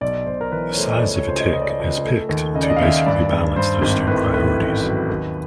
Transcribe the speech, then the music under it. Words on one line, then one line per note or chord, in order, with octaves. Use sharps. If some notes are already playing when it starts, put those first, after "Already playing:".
The size of a tick is picked to basically balance those two priorities.
B1 D5
B1 C5
A#4
E3 B4
C#5
A3 C5
D#5
D5
C#2 C#5
C#5
C#2 C5
D#5
C#2 D#5
D5
D#5
C#2
A3
D#2
C#3 D#5
D5
D#5
F5
D#2 E5
G2 D5
G2
G2 C5
G#1
A2 B4
A2 B4
A1
F#3
D#2